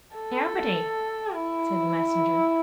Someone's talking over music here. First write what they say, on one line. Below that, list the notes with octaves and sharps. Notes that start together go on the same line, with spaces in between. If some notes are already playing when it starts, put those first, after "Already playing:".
'Nobody,' said the Messenger.
A4
E4